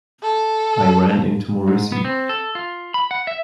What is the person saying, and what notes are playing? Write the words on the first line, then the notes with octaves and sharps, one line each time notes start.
I ran into Morisi.
A4
G#2
B3
C4
A4
F4
B5
F#5
E5